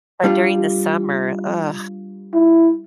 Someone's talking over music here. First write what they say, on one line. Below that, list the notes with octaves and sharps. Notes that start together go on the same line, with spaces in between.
but during the summer, ugh,
G3 D4 F4
E4